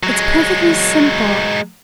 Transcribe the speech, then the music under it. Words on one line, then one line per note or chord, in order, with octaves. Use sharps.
It's perfectly simple.
F#3 G#3